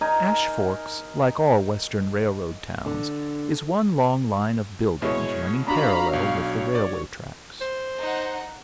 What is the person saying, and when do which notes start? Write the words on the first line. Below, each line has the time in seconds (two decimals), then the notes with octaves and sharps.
Ash Forks, like all Western railroad towns, is one long line of buildings running parallel with the railway tracks.
0.01 D#4 A#4 G#5
2.86 D3
5.02 B2 G#3 E4 C#5
5.67 D4 F#4 F5 A#5 B5
6.13 B1 C#5
6.75 D5
7.61 C5
8.01 D#4 F#5